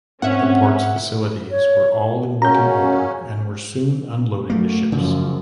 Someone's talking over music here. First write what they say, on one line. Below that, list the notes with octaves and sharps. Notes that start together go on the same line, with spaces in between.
The port's facilities were all in working order and were soon unloading the ships.
G#2 A#3 C4 C#4 E5 F#5
C#5
G#3 A#3 C#4 F#4 A#5 G6
F#2 F#3 A3 A#3
F#2 C#3 F3